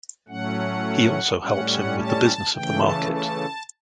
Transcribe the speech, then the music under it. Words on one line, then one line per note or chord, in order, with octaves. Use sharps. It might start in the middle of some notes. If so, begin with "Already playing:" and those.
He also helps him with the business of the market.
A2 F#3 A3 C#4 F#5
A2 G3 C#4 F#5
F#5
A5
C#3 E3 A3 G5
A5
A5